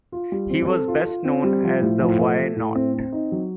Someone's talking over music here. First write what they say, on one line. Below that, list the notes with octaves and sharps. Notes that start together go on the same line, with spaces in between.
He was best known as the Why Not?
F4
G3
C4
A4
F4
F4
C4
G3
F3
A2
F3
A3
A3
A2
C4
C4
D#4
F#3